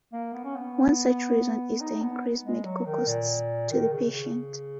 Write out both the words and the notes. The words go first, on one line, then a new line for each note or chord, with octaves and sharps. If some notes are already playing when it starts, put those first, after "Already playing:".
One such reason is the increased medical costs to the patient.
A#3
B3
C#4
B3
D#4
B3
G#3
F#3
D#3
A#2
D#3
C#3
C#3